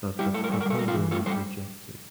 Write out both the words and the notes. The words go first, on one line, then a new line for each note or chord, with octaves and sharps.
But the proposal was rejected.
G3 E4 G4
A2 A4
A#4
G3 A4
A#4
G3 A4
G3 A#4
F4 A4
E3
A2 F4 A4
G3 A4 C5